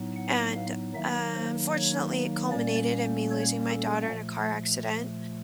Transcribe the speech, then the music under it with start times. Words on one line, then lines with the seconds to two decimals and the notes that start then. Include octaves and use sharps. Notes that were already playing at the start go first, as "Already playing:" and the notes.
and, uh, unfortunately, it culminated in me losing my daughter in a car accident,
Already playing: A2 F#3 B3 D#4
0.16 F#5
0.55 F5
0.94 D#3 F#3 A#3 D#4 E5
1.34 C5
1.74 C#5
2.51 A#2 G3 A#3 C#4 D5
3.31 C#5
3.70 A4
4.10 A#2 F3 A3